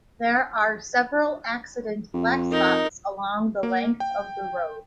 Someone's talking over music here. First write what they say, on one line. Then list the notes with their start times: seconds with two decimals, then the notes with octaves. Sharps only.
There are several accident blackspots along the length of the road.
2.14 F2
2.51 D#4 A#4
3.63 A#3
4.00 G5